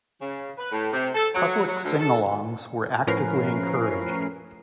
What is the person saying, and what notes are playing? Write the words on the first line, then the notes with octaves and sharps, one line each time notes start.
Public singalongs were actively encouraged.
C#3
B4
A2
C3
A4
F#3
F#3
D2
A4
A2 F3 C#4 A#4 B4 C7